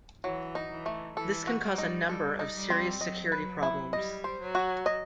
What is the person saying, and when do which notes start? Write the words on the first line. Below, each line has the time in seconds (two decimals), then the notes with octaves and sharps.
This can cause a number of serious security problems.
0.24 E3 F#3
0.55 D#4
0.71 E3
0.86 A3
1.17 E3 A4
1.47 F#4
1.63 G3
1.78 D#4
2.09 G3 A4
2.39 D#4
2.55 G3
2.70 C4
3.01 F#3 D#5
3.32 B4
3.63 E4
3.93 G3 D#5
4.24 C5
4.40 F#3
4.55 F#4
4.86 D#5